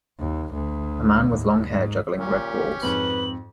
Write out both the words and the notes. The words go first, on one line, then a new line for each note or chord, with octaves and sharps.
A man with long hair juggling red balls.
D#2
D2
D#2 A2
G#2
A#2 C#4 G4
F2 G#2 B4 F#7